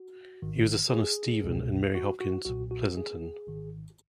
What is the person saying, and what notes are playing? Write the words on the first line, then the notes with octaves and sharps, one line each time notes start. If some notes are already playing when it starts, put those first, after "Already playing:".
He was the son of Stephen and Mary Hopkins Pleasonton.
Already playing: F#4
G#1 G#2 D#3
G#4
C#2 B2
F#4
F#4
B1 A#2 F#4
F#4
G#4
G#1 G#2 D#3